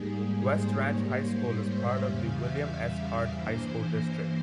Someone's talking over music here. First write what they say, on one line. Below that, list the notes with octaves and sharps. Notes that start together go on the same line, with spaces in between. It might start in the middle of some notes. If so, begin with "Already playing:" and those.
West Ranch High School is part of the William S. Hart High School District.
Already playing: G#2 G3 A#3 G#4
C5
G#2 G3 A#3 C#5
C5
C5
E5
E2 C#3 G3 F5
E5
F5
E5
G2 E3 A#3 C5